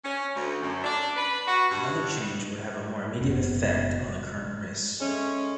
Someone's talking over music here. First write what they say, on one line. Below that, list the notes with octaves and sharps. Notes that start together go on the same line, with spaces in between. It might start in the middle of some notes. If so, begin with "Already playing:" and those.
Another change would have a more immediate effect on the current race.
C#4
D2
F#2
D4
B4
F#4
G2
F#1 B2
G#3 A3 C#4